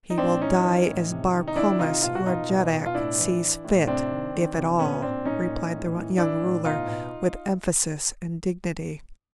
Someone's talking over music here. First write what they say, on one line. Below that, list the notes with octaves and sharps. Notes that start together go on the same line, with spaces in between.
"He will die as Bar Comas, your jeddak, sees fit, if at all," replied the young ruler, with emphasis and dignity.
D#4
A2 C4 D4
E3 C#4 D#4
E3
A2
C3
D#3
D#4
D#3 D4 E4
C3 D#4 F4
B2 F4
F#4
B2 D#4 F4
B2
B2
F4
A2 D4 E4
E3
E3
A2
C3 C4 D4
D#3
D#3
C3
A#2 B3 C#4
A#2 C4 D4
A#2 C#4 D#4
A#2
A2
E3
E3 D4 E4
A2
B2 D#4 F4
B2